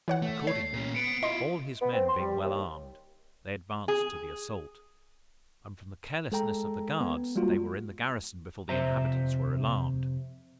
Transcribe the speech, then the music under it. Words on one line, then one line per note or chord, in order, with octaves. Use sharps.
Accordingly, all his men being well armed, they advanced to the assault; and, from the carelessness of the guards, they were in the garrison before the inhabitants were alarmed.
E3 C#5 F#5
A3
C#5 C7
A#2 C#4
B3 C#7 D7
E4 F4 D#5 C6
B3
C4
C6
G3
D#2
G#4
G#3 A4 G5 A#5
B3
G3 G#3 A#3 F4 F#4
F2 C3 C5 E5 A#5